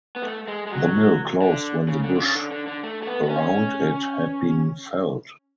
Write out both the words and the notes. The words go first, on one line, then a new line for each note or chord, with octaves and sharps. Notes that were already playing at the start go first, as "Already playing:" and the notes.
The mill closed when the bush around it had been felled.
B3
A3
G#3
G#3
F#3
D3
C#3
D3
D3
C#3
D3
D3
D3
A3
A3
B3
B3
C#4